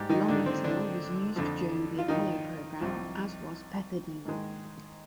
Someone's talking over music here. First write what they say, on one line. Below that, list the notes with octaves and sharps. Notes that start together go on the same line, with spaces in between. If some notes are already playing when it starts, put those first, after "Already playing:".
Lomotil was used during the Apollo program, as was pethidine.
Already playing: G#2 G3 G4
D#3 D#4
D3 D4
C4
D3 D4
F2 D3 F3
F4
D#3 D#4
C2 C3 F3
G#2 D#3 G#3